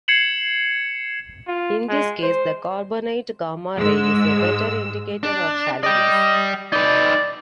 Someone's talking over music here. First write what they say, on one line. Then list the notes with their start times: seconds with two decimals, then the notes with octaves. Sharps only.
In this case, The carbonate gamma ray is a better indicator of shaliness.
0.08 G#6 C7 C#7 E7 F#7
1.47 F4
1.89 G#3
2.23 C5
3.77 G#2 G#3 E6
5.23 D4
5.83 D5 D#5 G5
6.72 D#4 B4 D5